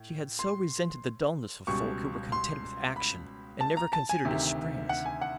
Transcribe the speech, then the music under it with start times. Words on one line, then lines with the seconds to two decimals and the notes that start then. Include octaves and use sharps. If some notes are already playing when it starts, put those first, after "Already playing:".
She had so resented the dulness of folk who were content with action and never considered its springs.
Already playing: A2
0.39 C6
1.67 C#2 B2 G3 C#6
2.32 C6
2.96 B5
3.61 A5
3.77 A#5
3.93 A5
4.09 G#5
4.25 D2 C3 D#3
4.89 F#5
5.06 G#5
5.21 F#5